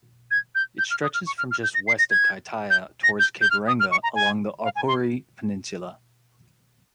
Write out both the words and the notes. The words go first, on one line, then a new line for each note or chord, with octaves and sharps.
It stretches from just west of Kaitaia towards Cape Reinga along the Aupouri Peninsula.
G#6
G6
G6
F6
D#6
F6
C#6
F6
F6
G6
A#6
C7
A#6
G#6
G6
A#6
G6
G6
F6
D#6
F6
C#6
A#5
G#5
F5
G#5
C6